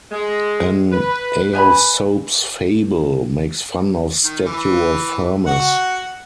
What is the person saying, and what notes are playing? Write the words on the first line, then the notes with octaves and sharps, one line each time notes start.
An Aesop's fable makes fun of statue of Hermes.
G#3
B4
B4 G#5 A#5 B5
D#3
E3
F#4 F#5